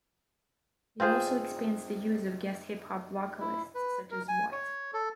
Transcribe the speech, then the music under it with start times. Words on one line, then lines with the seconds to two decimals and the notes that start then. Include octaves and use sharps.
It also expands the use of guest hip-hop vocalists such as What?
1.00 C4 F4 G#4 C5
3.40 E4
3.75 B4
4.11 A#4
4.28 G#5
4.52 C#5
4.94 A4